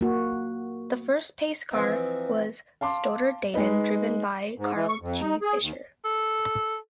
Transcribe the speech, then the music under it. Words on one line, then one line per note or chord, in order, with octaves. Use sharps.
The first pace car was a Stoddard-Dayton driven by Carl G. Fisher.
A#3 F#4
E3 F3 C4 D#4
F5 A5 C6 D6
G#3 D#4 B4 D#5
G#2
E3
C#6
F2
D#4
G#4
D#2
A4